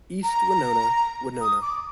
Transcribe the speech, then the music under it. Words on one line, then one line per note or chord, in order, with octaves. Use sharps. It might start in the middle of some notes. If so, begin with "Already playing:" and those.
East Winona - Winona.
A#5
D#6
D6